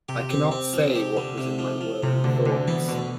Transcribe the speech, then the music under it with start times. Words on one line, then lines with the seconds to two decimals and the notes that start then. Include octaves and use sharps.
I cannot say what was in my whirling thoughts.
0.09 C3 G4
0.30 C4
0.52 C4
0.73 F3
0.95 G4
1.17 D3
1.38 C3
1.59 F3
1.81 F3
2.03 C3 F3
2.24 D2 D3
2.46 D2 D3
2.68 E3 B3
2.88 B2 D3